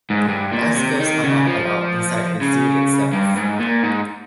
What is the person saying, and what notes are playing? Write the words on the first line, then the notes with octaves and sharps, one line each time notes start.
Bicycles are not allowed inside the zoo itself.
G#2
G2
A#2
C3
D#3
C#3
F3
C#3
G2
G#2
A#2
G#2